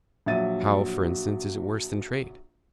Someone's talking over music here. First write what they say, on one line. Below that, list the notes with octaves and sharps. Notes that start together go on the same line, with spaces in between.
How, for instance, is it worse than trade?
A#1 F#3 F#4 E5 A6 D#7